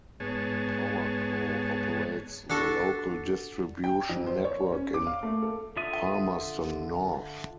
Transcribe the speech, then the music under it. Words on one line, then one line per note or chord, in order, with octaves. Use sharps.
Powerco operates the local distribution network in Palmerston North.
G#2 B3 G#4 C#5 A5
D4 F#4 A4
G5
F2
C5
C#5
C#4
D6
F5
A3
A4
D3 F4 E5 D#6